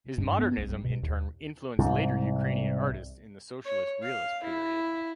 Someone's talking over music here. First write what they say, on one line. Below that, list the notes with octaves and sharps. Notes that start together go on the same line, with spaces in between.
His Modernism in turn influenced later Ukrainian artists in the Socialist Realist period.
G2
B3
C2
G2
B2
D#2
C2 G#2
C#5
F5
E4